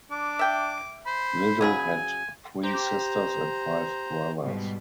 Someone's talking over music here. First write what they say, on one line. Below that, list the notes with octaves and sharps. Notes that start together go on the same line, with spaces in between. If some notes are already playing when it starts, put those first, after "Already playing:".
Little had three sisters and five brothers.
D4 D6
E5 G5
C5 B5
C#3 F#3 G#4 G#5
G4 C5 A#5
G#2 B2 G3